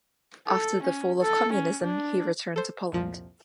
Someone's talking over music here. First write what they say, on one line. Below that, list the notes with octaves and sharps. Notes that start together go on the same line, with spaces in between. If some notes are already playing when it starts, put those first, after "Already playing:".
After the fall of communism he returned to Poland.
A4
C#4
A4
C#4
D4
A4 C5
C2 F2 A#2 F3